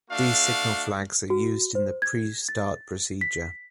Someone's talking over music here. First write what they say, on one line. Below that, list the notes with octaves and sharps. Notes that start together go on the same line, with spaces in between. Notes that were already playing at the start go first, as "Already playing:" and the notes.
These signal flags are used in the pre-start procedure.
A3 D4 F#4 F5
F#4
C5
G#6
A6
B6